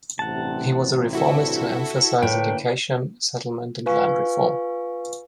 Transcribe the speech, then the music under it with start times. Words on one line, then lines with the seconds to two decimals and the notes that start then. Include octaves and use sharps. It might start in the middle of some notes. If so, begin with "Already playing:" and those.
He was a reformist who emphasized education, settlement, and land reform.
0.19 A1 G2 C3 F#5 A5
1.13 E4 F#4 A4
2.23 A2 D3 A#3 B4 G5
3.86 F4 B4 F5 G#5 C#6